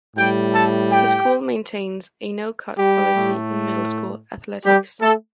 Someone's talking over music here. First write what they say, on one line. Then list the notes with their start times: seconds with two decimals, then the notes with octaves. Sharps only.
The school maintains a no-cut policy in Middle School athletics.
0.16 A2 G3 G4 G5
0.54 A4 A5
0.90 G4 G5
2.77 G3 G4
3.15 A2 A3
4.64 G3 G4
5.01 A3 A4